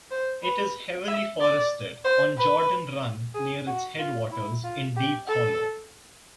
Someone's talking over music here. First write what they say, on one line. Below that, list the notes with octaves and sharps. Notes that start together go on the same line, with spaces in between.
It is heavily forested, on Jordan Run near its headwaters, in Deep Hollow.
C5
B4
E5
D5
C5
B4
G#4
F#4
F4
E4
F4
G4
A4